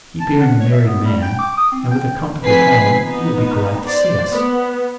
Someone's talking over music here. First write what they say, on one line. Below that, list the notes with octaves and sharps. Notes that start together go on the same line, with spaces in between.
He being a married man, and with a comfortable home, he will be glad to see us.'
A5
F#5
C#5
E5
B3
G3
G5
D6
D#6
C4
G5
F3 C4 B4 G#5 B6 C7
B3 D#4
C5 D5
B3